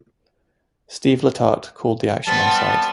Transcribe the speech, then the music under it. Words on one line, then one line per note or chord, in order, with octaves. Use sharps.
Steve Letarte called the action on site.
G3 B3 C4 A5